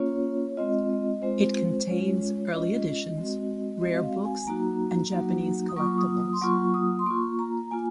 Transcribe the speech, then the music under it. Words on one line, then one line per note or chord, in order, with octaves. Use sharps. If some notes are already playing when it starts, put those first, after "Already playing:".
It contains early editions, rare books and Japanese collectibles.
Already playing: A#3 C#4 F4 C#5
G#3 C4 F4 D#5
D#5
G#3 C4 F4 C5
G#3 C#4 F4 C#5
G#3 C#4 F4 D#5
G#3 C4 F#4
G#3 C4 F#4 D#5
F5
G#5
F#3 A#3 D#4 F#4 A#5
F#3 A#3 D#4 F#4
D#6
F#3 A#3 F4 C#6
D#6
D#6
C6
F#3 A#3 F4 C#6
D#6
C6
A#3 F4 C#6
A#5
A#3 F4 G#5